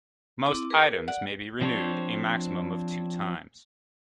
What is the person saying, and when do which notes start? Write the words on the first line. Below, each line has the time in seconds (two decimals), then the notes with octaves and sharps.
Most items may be renewed a maximum of two times.
0.46 C4 E4 D6
0.70 G#4 A#4 B4
1.08 D5 F#5
1.61 F3 C4 D4 C5 C#5